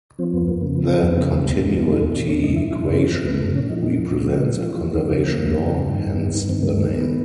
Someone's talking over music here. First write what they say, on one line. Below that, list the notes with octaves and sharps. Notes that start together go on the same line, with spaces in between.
The continuity equation represents a conservation law, hence the name.
F3 C4
F2 B3
F2 A#3
C#3 A#3
F3 B3
F2 C4
F2 C4
C#3 B3
E2 A3
B2 G3
E2 F#3
B2 G3
E2 G#3
B2 A#3
E2 D4
B2 C#4
E3 D#4
F#2 E4
F#2 E4
C#3 D4
E3 C#4
F#2 C4
F#2 B3
C#3 A3
A#2 C#4
F3 D#4
A#2 D#4
F3
A#2
F3
A#2
F3
E3 C#4
F4
F2 E4
F2 D#4
C#3 D4
E3 A#3
F2
F2
C#3
G2
D#3
G2
D#3
G2 B3
D#3 C4
G2 A#3
D#3 A3
D#3 B3